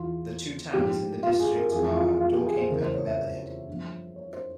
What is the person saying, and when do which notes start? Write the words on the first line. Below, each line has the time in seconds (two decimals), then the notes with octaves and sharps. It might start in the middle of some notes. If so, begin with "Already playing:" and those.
The two towns in the district are Dorking and Leatherhead.
Already playing: E2 E3 F4
0.74 G#2 F3 G4
1.23 F4
1.39 G#4
1.55 A#4
1.72 F2 E3 G#4
1.87 E4
1.96 F4
2.20 F4
2.33 G4
2.46 G#4
2.58 C5
2.70 E2 C#3 E3 A#4
2.82 C5
2.94 C#5
3.07 E5
3.68 G2 F3
4.16 C#5
4.33 C5